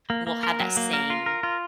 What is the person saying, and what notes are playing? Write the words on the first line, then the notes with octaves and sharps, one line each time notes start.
will have that same
A#3
A#3
A#4
F#3
A#3
A#4
F4
A#4
F4